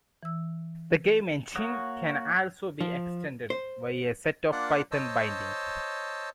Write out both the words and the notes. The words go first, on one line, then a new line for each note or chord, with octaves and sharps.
The game engine can also be extended via a set of Python bindings.
E3 E6
A#3 F#4 C#5 D#6
F3
C5
A#3 D4 F4 D5 F#5
C5 C#5 D#5 A5 E6